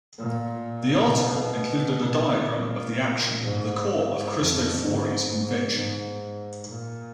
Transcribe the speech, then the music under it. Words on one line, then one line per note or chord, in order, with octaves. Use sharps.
The article included a diagram of the action, the core of Cristofori's invention.
A#2
B2
B2
A#2
G#2
F2
G#2
G#2
G#2
A#2